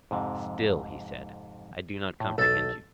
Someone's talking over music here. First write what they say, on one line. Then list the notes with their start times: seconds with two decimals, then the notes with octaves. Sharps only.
Still, he said, I do not comprehend you.
0.11 F2 G#2 C3
2.20 A2
2.38 B1 A4 A5